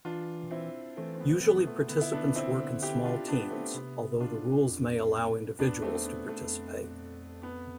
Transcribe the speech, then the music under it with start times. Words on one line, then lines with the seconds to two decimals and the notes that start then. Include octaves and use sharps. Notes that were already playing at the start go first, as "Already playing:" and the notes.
Usually participants work in small teams, although the rules may allow individuals to participate.
0.05 E3 D4 F4
0.51 C4 E4
0.97 E3 A3 C4
1.15 C4
1.20 B3
1.43 B3
1.55 B3
1.67 A3
1.89 D3 B3
2.01 E4
2.13 B3 D4
2.36 C4 E4
2.82 E4 G4
3.05 D4 F4
3.28 B3 D4
3.51 A3 C4
3.74 C3 B3
4.20 D4 F4
4.67 F2
5.59 E2 B3 D4
5.82 A3 C4
6.05 B3
6.28 A3
6.41 E2
6.51 F2
7.43 B3